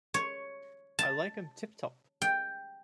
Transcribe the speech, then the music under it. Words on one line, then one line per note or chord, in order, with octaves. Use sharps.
I like 'em tip-top.
C#5
A5
G5